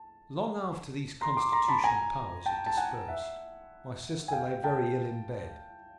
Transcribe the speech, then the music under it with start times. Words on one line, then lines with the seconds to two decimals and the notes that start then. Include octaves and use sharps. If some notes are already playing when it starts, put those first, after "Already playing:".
Long after these constitutional powers had dispersed, my sister lay very ill in bed.
Already playing: A5
1.21 A#5 C6
1.37 C6 D6
1.52 A#5 C6
1.68 A5 B5
1.84 G#5 A#5
2.46 G5 A5
2.66 A5
2.77 F#5 G#5
3.08 E5 F#5
4.28 G#5
4.33 F5 G5
4.64 G5 A5